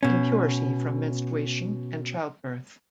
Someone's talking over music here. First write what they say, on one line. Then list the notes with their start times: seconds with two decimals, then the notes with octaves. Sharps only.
Impurity from menstruation and childbirth.
0.03 B2 C#4